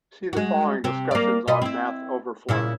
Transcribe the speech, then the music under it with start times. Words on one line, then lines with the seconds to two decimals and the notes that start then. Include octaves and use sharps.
See the following discussion on MathOverflow.
0.33 G#3 F#4
0.84 C3 C4
1.11 A#3 D5
1.48 B2 B4 D#5
1.62 C4 E4
2.49 A#2 C#3 E4